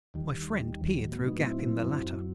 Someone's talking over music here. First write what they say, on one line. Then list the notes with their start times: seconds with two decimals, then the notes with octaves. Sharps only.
My friend peered through a gap in the latter.
0.14 D#2 D#3 G3
0.98 A2 F#3
1.12 B3
1.26 B3 D#4
1.40 C4 E4
1.82 F#2 F#3